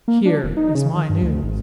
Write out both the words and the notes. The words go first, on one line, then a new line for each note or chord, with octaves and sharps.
Here is my news.
A#3
D4
E1
D#4
C#3
D#3
G2
D2
G#1